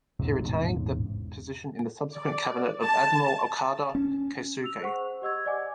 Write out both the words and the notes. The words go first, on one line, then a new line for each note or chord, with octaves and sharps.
He retained the position in the subsequent cabinet of Admiral Okada Keisuke.
E1 A1 G#2 C3
D5
A5
C#4
E6 F7
G#4 C5 F#5 C#6
G4 D#5 E6 G#6
D5 D#5 F#5 G#5 D6